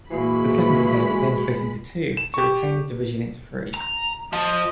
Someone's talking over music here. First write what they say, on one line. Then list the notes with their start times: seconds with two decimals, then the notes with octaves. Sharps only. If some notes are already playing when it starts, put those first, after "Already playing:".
The Second Estate was then split into two to retain the division into three.
0.11 A#2 E3 G#3 F#4 B5
2.17 E7
2.34 G4 C#6
3.74 A#5
4.33 F3 D#5